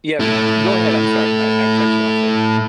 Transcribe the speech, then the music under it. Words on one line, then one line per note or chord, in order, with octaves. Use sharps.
yeah, go ahead. I'm sorry. I I cut you off there.
A3 E4